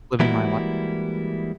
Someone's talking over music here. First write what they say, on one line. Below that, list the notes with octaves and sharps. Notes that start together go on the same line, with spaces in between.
living my li"
E3 G3 G#3 A#3 E4 F#4